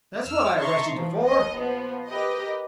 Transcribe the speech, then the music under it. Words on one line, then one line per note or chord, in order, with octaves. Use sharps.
"That's what I arrested you for."
F2 E6 F6
D#4 E5 A5 A#5 C6 C#6
E3 F3
A#1 D#2 D#5
F3 B3
G4 A#4 B4 D#5